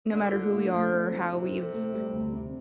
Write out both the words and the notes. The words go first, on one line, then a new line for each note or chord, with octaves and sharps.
no matter who we are or how we've
D3 D4
F4
A3
A3
C4
F3
C3 E4
A4
A3
G3
D2
C3